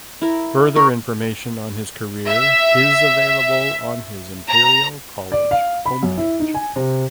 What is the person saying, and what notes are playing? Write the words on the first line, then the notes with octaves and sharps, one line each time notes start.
Further information on his career his available on his Imperial College Homepage.
E4 A#4
A#4 C#6
E5
A#5
D5
F5
B5
F#2
E4
D#4
G#5
C3